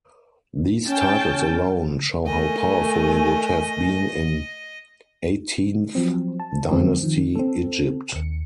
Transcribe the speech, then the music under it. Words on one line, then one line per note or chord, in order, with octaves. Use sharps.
These titles alone show how powerful he would have been in Eighteenth Dynasty Egypt.
C#4 G5 A5
A3 A#4 D#5 G#5
F3 F#3 C4
A5
F2 D3 F3 G#3 C4
D#3 F3
C4 A4
D#2 C#7